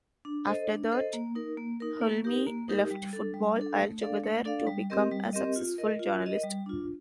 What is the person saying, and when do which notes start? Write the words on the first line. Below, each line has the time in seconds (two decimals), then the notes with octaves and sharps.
After that, Hulme left football altogether, to become a successful journalist.
0.25 D4
0.47 A4 C5 D#5
0.69 D4
0.92 A4 C5 D#5
1.13 A#3
1.35 D#4 A#4
1.57 A#3
1.80 D#4 A#4
2.01 A#3
2.24 D#4 G4 A#4
2.47 A#3
2.69 D#4 G4 A#4
2.91 G3
3.13 D4 A4
3.34 G3
3.56 D4 A4
3.79 A3
4.01 D4 A4 D5 F5
4.24 A3
4.45 D4 A4 D5 F5
4.67 G3
4.90 C4 G4 A#4 D#5
5.11 G3
5.33 C4 G4 A#4 D#5
5.56 F4
5.78 A#4 D#5
5.99 F4
6.22 A#4 D#5
6.44 G3
6.66 D4 F4